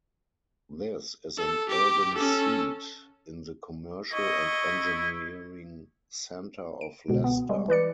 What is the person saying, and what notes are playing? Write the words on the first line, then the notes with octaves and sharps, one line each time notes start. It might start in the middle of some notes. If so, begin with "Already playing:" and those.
This is an urban seat in the commercial and engineering centre of Leicester.
A4
G4 D6
C#4 A4
E4 D#5 C#6
D7
C#2 B2 D3
B3
G3 G#3
E3 B4 D5 C#7